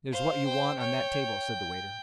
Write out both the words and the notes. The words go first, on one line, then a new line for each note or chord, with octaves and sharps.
"There's what you want on that table," said the waiter.
C5 F5
G5
C#5 G5